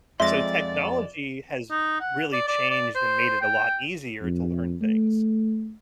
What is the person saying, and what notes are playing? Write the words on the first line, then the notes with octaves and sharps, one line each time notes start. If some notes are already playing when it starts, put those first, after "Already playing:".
So, technology has really changed and made it a lot easier to learn things.
F2 G#3 D5 E5 C6 A6 A#6
D#4
F#5
D5
D5
D5
C5
G5
F2
A3